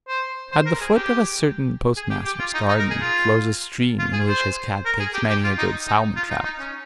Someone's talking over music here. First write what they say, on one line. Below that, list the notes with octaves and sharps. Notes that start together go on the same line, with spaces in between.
At the foot of a certain post-master's garden, flows a stream in which his cat takes many a good salmon-trout.
C5
C5
A#4
G#4
G4
G#4
G4
G4
F4
D#4
D#4
A#4
G#4
F4
F4
G#4
C5
A#4
G#4
G4
G4
F4
D#4
D#4
F4
D#4
D#4
C#4